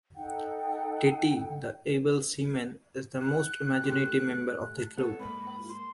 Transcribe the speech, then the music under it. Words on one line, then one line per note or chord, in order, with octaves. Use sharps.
Titty, the "able seaman", is the most imaginative member of the crew.
D#4 A4 F#5 G5
F#6
A3 F4 G4
B3 A4 C#5
G#2 A#3 B5
C6